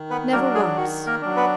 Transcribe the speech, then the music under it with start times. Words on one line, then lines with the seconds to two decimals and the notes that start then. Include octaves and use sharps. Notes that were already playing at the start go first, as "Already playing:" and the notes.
Never once!
Already playing: D#3
0.10 B3 B4
0.32 A#3 D4 A#4
0.35 F#3
0.55 G#3 G#4
0.77 D#3 F#4
1.06 A#3 A#4
1.22 F#3 D4
1.37 B3 B4